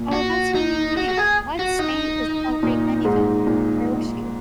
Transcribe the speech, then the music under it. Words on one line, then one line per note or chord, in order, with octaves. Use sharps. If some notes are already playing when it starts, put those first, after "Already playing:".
Oh, that's really neat. What state is Plum Creek in even? Where was she?
Already playing: A#2
F#4
D#4
F#4
F#4
G#4
F#4
D#4
A#2
G#2
A#2